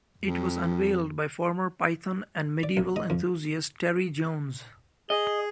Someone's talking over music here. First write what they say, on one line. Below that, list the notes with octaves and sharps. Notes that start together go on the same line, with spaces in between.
It was unveiled by former Python and medieval enthusiast Terry Jones.
F2
D5
B1
D#5
F2
G#4 D#5